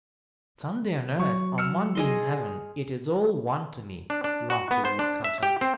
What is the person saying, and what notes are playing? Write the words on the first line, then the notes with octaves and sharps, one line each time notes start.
"Sunday on earth, or Monday in heaven, it is all one to me!" laughed the wood-cutter.
F#3 C#6
E6 F6 C#7
G#4 D#5 C6
D4
D4
F#4
B3
C5
D4
E5
G4
C4